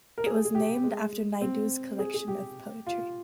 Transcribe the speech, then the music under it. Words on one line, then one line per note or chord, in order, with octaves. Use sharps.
It was named after Naidu's collection of poetry.
A#4
G#4
G#4
G4
G#3
C4
G#4
G#4
G4
F4